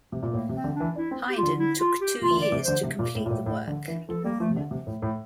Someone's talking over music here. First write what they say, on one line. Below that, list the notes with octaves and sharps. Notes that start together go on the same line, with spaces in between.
Haydn took two years to complete the work.
C3
A#2
A2 A#3
C3
C4
D3
D4
E3
D4 E4
C4
G4
F4
D3
E4
F4
G4
C3 F4
E3
D3
D5
C3
D3 C5
C3
A#2
A2
A#2
A2
A2
D3
E3
F3 A4
G3 A#3
F3 A3
C3
D3
C3
A2
A2